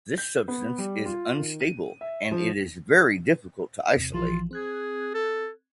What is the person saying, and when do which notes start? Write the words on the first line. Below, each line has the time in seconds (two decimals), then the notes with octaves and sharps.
This substance is unstable and it is very difficult to isolate.
0.18 G6
0.48 B3
0.78 G3
1.06 F4
1.39 D#3
1.61 D#7
2.01 E5
2.31 F3
3.96 E2 C3
4.13 A#1 E3 F3 F4
4.51 C4 G#4 F#6 G#6
5.14 A4